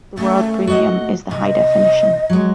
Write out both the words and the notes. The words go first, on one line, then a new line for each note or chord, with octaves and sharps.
The World Premium is the high definition.
C#3 A3
F#4 D#5 F#5
C3 D#5
F#3 G#3